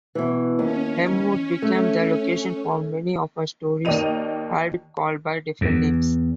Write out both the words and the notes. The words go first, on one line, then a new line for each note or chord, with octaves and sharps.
Elmwood became the location for many of her stories, albeit called by different names.
B2 E3
D#2 C#4
A3
D#2 D#3 D5 D#5 D#7 F7
E2